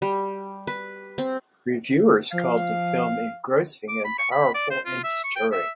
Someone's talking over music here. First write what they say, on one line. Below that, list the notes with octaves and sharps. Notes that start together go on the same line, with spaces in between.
Reviewers called the film "engrossing" and "powerful and stirring".
G3
B4
C4
F3 F5
D6
B5
C#6
B5
D5
C5
F4
E5
C#6
G5
E5